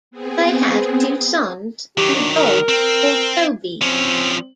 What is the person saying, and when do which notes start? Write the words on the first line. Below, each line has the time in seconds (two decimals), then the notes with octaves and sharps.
They have two sons, and a dog called Toby.
0.11 B3 C4 G#4
1.98 D#3 F#3 G4
2.16 D4
2.36 A#4
2.69 C4
3.81 F3 C4 C#4